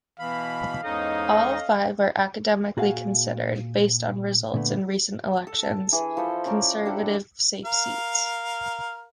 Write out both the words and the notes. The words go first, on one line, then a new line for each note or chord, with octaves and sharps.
All five are academically considered, based on results in recent elections, Conservative safe seats.
B2 E3 F5 B5
E2 G#2 C#4 D#4 A4 D#5
A#2 F#4 G#4 F5 F#5 G#5
A#2 D3 A3 B3
A4
A5
E3 G#4
F3 E4 A4 C5
C#4 A#4 D5
D4 G4 A4 F#5
A#4 F5